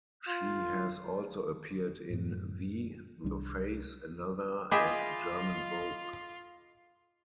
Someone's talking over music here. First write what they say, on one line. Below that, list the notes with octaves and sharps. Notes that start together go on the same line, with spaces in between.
She has also appeared in V, The Face, Another, and German Vogue.
F4
F#2 A2
C2 G3 D4
F4 G#4 D#5 E5 G5 B5 D6